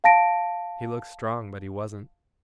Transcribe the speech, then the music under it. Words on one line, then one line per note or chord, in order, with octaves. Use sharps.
He looked strong, but he wasn't.
F5 A5 A#6 D7